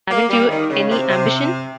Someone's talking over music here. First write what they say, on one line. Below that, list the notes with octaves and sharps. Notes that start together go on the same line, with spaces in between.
Haven't you any ambition?
A#3
G3
D#3
C#3
C3
C3